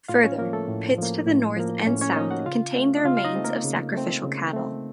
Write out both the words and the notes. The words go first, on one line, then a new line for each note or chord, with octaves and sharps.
Further pits to the north and south contain the remains of sacrificial cattle.
A2 F4 F5
C#4 C#5
F3 A#3 A#4
A3 A4
A2
F3 A#3
A2
F3 A#3
A2 C#4 C#5
C#4 C#5
F3 A#3 D#4 D#5
F#4 F#5
C#3 F4 F5
A3 C4
D#5
C#3 F4 F5
F5
D#4 D#5
A3 C4
A#3 A#4
C#3
A3 C4
C#3
A3 C4